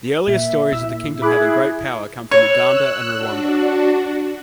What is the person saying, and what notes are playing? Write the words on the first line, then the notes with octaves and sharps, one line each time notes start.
The earliest stories of the kingdom having great power come from Uganda and Rwanda.
A#2 E5
A#2 E4 E6
E4 G#4 B5 D6 F#6
C#5 E6 F#6
D4 F#4